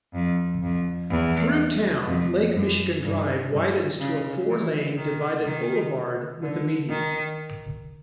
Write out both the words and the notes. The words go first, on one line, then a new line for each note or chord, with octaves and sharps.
Through town, Lake Michigan Drive widens to a four-lane divided boulevard with a median.
F2
F2
E2
F2
F#2
G2
G2
C#3
E3
D#3
D#3
D3
D#3